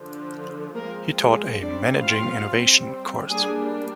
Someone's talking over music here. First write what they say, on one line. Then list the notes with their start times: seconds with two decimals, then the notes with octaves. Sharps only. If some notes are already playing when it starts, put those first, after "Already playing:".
He taught a "Managing Innovation" course.
Already playing: D3 F3
0.74 F3 G#3 A#3 C4 A#4
1.17 G#3 G#4
1.59 G3 C4 D4 D5
2.01 F4 F5
2.45 G3 C4
3.29 G3 A#3 D4 G#4 G#5